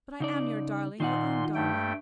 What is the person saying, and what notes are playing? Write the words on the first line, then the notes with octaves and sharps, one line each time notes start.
But I am your darling, your own darling.
C#3 D#4 D5
A#2 D#3 D#4 F#5 C6
G2 A3 G5